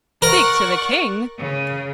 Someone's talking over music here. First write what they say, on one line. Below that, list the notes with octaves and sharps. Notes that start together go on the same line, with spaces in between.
'Speak to the King!...
A#4 D5 F#5 C#6
C#3